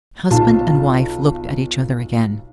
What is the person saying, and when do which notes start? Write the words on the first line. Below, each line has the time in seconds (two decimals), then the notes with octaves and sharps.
Husband and wife looked at each other again.
0.30 B1 F4 A5